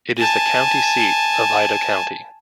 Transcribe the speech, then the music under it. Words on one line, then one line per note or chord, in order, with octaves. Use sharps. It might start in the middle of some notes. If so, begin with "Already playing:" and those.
It is the county seat of Ida County.
G#5 A5